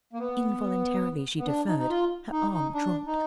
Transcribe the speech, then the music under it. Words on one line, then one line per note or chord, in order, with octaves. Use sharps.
Involuntarily she deferred, her arm dropped.
A#3
B3
B3
D4
D#4
D#4
F4
D#4
D#4
D4
D#4